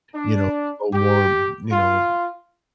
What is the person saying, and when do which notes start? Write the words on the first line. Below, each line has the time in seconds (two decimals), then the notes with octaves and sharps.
you know, grow more, you know,
0.15 D4
0.94 G4
1.73 F4